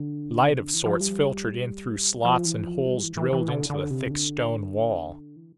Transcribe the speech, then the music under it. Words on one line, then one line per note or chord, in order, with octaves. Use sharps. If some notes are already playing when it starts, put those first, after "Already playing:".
Light of sorts filtered in through slots and holes drilled into the thick stone wall.
Already playing: D3
C3
D3
E3
F3
G3
F3
E3
F3
G3
E3
E3
E3
D3
D3
C3
D3
E3